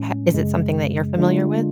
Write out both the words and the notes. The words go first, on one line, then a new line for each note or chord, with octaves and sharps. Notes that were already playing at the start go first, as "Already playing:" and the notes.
ha is it something that you're familiar with?
Already playing: A2 G#3 C#4
F#2 C#3 G#3
D3 G#3 D4 F4